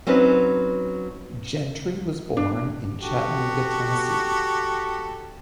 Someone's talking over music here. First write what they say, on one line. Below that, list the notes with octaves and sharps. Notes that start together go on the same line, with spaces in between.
Gentry was born in Chattanooga, Tennessee.
F#3 C4 C#4 D#4 B4
D4
F#4 G4 A4